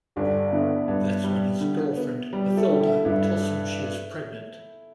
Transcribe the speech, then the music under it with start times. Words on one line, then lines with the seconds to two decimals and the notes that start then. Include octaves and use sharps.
That's when his girlfriend, Mathilde, tells him she is pregnant.
0.16 G1 D4 G4
0.52 D3 B3 E4
0.88 G2
1.24 G3
1.60 D3
1.97 B3
2.33 G3
2.50 G4
2.57 E4 A4
2.69 D3
2.80 E4 A4
3.05 G2 E4 A4